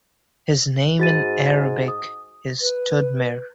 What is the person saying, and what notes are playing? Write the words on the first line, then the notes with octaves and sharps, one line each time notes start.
His name in Arabic is Tudmir.
G#2 F#4 A6 D#7
D#6
B4